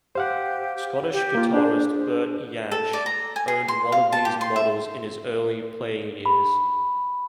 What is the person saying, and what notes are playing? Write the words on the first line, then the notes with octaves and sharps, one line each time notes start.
Scottish guitarist Bert Jansch owned one of these models in his early playing years.
G4 C5 F5 F#5
G4
A#3 F4
D4 G#4 C5
A4
D5
A#5
G#5
G#4
C6
F5
A5
G4
C6
E5
B5